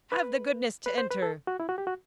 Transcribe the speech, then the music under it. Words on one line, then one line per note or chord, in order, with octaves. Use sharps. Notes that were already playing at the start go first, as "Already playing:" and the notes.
'Have the goodness to enter.'
B4
B4
C5
B4
A4
F#4
E4
F#4
G4
F#4